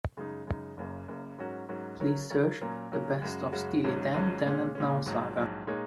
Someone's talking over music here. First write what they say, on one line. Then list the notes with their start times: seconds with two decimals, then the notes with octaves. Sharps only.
Please search The Best of Steely Dan: Then and Now saga.
0.17 F#2 C#3 G#3 D#4
0.47 F#2 C#3 G#3 D#4
0.77 F#1 F#2 C#3 A#3
1.08 F#1 F#2 C#3 A#3
1.38 G#2 F#3 C#4 F#4 A#4
1.69 G#2 F#3 C#4 F#4 A#4
2.00 C#3 F#3 C#4 A#4 C#5
2.30 C#3 F#3 C#4 A#4 C#5
2.61 A#2 F#3 C#4 A#4
2.92 A#2 F#3 C#4 A#4
3.22 F#2 C#3 G#3 F#4
3.52 F#2 C#3 G#3 F#4
3.84 G#1 G#2 F#3 C#4
4.14 G#1 G#2 F#3 C#4
4.45 A#2 G#3 C#4
4.75 A#2 G#3 C#4
5.06 A#1 G#2 F#3
5.36 A#1 G#2 F#3
5.67 A#2 G#3 D#4 A#4 C#5